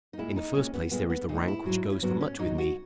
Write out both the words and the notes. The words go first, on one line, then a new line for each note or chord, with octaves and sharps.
In the first place there is the rank which goes for much with me.
D#4
A#2 G#3 E4
D#4
A#2 G#3 C#4
B3
A#2 G#3 B3
B3
A#2 G#3 D#4
E4
G#2 F#3
C#4
G#2 F#3 B3
C#4
G#2 F#3 D#4
F#4